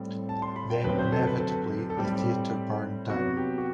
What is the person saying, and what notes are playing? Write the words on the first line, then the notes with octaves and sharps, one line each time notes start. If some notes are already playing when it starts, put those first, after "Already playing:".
Then, inevitably, the theatre burned down.
Already playing: A2 G3 C4
A5
C6
B5
G5
F#2 D3 F#3 A3 C4 B4
C5
A4
B4
A4
A4
A2 G3 C4 G4
C3 F#3 B3 F#4
G4
F#4